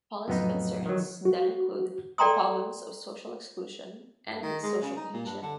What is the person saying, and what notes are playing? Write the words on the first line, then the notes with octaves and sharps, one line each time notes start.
Policy concerns then include the problems of social exclusion and social cohesion.
F2 A2 C#3 F#3 B3 D#4
D#3 F3 F#3
F#4
A4 D5 G5 A#5 C6 D#6
G2
D#3
G#3
C#3
D#4
A#2
G2
D3